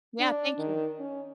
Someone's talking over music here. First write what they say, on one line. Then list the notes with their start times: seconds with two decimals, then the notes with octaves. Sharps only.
Yeah, thank you.
0.20 D4
0.58 D#3
0.99 C#4